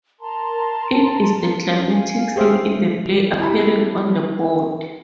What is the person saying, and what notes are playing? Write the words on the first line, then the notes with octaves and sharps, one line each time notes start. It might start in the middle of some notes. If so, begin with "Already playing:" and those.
It is the climactic scene in the play appearing on the board.
A#4 A5 A#5 C6
F5 G#5
G4 G#4 C5 E5 F5
E4 G4 A5 B5